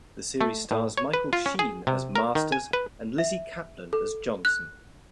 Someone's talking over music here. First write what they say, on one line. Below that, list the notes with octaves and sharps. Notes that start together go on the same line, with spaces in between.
The series stars Michael Sheen as Masters and Lizzy Caplan as Johnson.
A3
A2
C#5
B4
F4
C#4
G#4
C3
A#4
D#3
G#5
B4
E5
A4
F#6